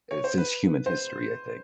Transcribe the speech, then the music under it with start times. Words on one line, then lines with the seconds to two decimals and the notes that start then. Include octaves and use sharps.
eh, since human history, I think.
0.11 C#5
0.24 C5
0.38 B4
0.86 C5